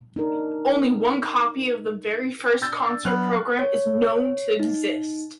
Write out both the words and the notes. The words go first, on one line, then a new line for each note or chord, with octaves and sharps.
Only one copy of the very first concert program is known to exist.
D4 D#4 A#4
D4 E6 G6 A6
F#3 B3 F6 F#6 F7
C#5
D#4